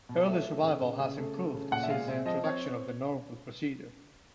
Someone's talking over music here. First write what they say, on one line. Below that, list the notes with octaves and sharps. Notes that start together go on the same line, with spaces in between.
Early survival has improved since the introduction of the Norwood procedure.
B2
A3 E5
A3
C#3
C#3
C#3
A3
A3
C#3
A#2 F#5
E5
G#3 F5
C4 E5
F3 D#5
C4 C#5